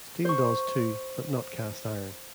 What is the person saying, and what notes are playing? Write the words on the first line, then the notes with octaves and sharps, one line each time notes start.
Steel does, too, but not cast iron.
C5 C#6